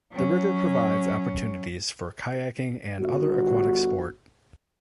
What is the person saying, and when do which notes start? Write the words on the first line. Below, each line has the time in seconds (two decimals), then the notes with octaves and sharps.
The river provides opportunities for kayaking and other aquatic sport.
0.12 F#3 C#4
2.99 G1 F#4